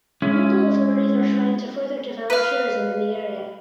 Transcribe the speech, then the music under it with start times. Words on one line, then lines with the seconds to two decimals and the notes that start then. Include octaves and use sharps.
Local authorities are trying to further develop tourism in the area.
0.22 G#3 C#4 E4
2.30 B4 F5